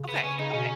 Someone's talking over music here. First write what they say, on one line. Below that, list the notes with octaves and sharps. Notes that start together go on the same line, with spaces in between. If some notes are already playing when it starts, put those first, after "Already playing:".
Okay, okay.
Already playing: C#3
B3
C#4
C#3 D#4
B2 C#4